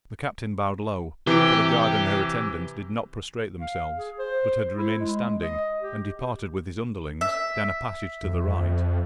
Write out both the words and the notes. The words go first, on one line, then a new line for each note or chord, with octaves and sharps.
The captain bowed low, for the guard and her attendants did not prostrate themselves, but had remained standing, and departed with his underlings down a passage to the right.
C3 E3 G4 G5
F5
G#4
C5
E4
G#3
D#5
G4
E5
F2